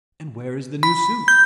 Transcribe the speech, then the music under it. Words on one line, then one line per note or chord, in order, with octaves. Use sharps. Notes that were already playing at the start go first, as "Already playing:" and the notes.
"And where is the new suit?"
B5
G6